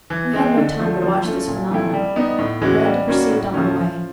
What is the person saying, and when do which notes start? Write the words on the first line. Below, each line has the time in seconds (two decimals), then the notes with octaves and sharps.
We had no time to watch these phenomena; we had to proceed on our way.
0.10 E3
0.33 G#3 C4
0.57 D3
0.80 F3 A3
1.02 F3
1.25 A3 C#4
1.47 A#2
1.71 F3 A3 C4 E4
1.93 G3
2.16 B3 D#4
2.39 A2
2.61 E3 G#3 C#4 F#4
2.84 G3
3.08 A#3 C#4 F#4
3.30 A2
3.54 F3 A3 C#4
3.76 F3